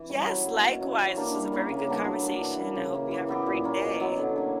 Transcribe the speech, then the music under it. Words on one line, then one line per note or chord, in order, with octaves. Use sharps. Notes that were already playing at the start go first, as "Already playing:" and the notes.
Yes, likewise, this is a very good conversation, I hope you have a great day.
Already playing: E3
G3 C#4 E4
F#3
A#3 E4
B2
F#3 C#4 E4
E3
A#3 D4
G3
A#3 C#4
C#3
G3 B3 D4
F#3
A#3 D4
E3
G3 A#3 C#4
C#3
E3 A#3 E4
E3
B3 E4 G4
A#2
A#3 C#4
B2
F#3 B3 E4
D3
A#3 C#4